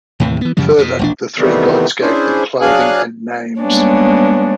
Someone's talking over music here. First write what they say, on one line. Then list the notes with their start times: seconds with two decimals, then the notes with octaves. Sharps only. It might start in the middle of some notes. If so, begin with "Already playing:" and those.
Further, the three gods gave them clothing and names.
0.20 D#2 A2 C3 E3
0.41 E3 B3
0.57 F#2 C#3 F3 G3
0.78 F2 B2
0.99 E1 A#1 D4
1.38 C3 D#3 E3 G3 A3 B3
2.01 C#4 D4 E4 G#4 C5
2.61 F#3 D4 G#4 F5 G#5 F#6
3.61 G3 G#3 A#3 B3 C#4 D4